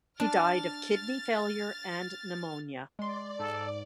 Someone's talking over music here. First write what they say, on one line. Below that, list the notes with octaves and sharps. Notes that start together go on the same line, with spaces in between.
He died of kidney failure and pneumonia.
D4 F6 A6
G#3 D5 C6
G#2 A4